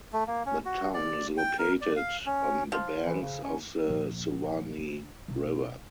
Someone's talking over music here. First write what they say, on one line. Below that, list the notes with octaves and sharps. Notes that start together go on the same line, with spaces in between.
The town is located on the banks of the Suwannee River.
A3
A#3
C#4
F#4
D5
G5
A#4
D5
F5
C#4
F3
E3
C#3
C#4
A#2 F3
D3
B1